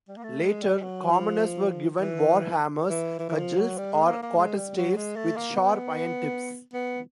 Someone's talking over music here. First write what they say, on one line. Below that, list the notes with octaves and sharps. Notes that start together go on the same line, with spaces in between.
Later, commoners were given war hammers, cudgels, or quarterstaves with sharp iron tips.
G3
A#3
A3
G#3
G3
F#3
F3
E3
E3
E3
E3
F3
F#3
G3
G#3
B3
A#3
A#3
G#3
G3
F#3
G#3
A3
A#3
B3
B3